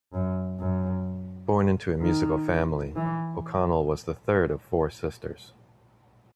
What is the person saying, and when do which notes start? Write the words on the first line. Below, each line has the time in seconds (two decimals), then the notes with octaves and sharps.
Born into a musical family, O'Connell was the third of four sisters.
0.13 F#2
0.59 F#2
2.01 D#3
2.96 E3